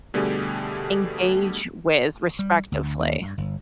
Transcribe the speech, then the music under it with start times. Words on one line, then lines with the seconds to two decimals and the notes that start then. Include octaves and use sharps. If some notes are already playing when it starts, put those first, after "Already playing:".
engage with respectively.
0.14 B2 D3 G3 A3 G4 G#4
2.39 G3
2.72 D2
3.00 D#2
3.23 G2
3.38 G1